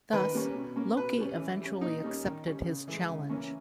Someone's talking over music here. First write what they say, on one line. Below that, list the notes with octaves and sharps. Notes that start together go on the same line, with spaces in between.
Thus, Loki eventually accepted his challenge.
D#3 B4
G3 A#3 C#4
B2
A#3 C#4
B2 B4
G3 C#4
E3
G3 C#4
A#2 D#4
G3 A#3 C#4
D#3
G3 C#4
C#3
E3 G#3
C#3
E3 A#3 C#4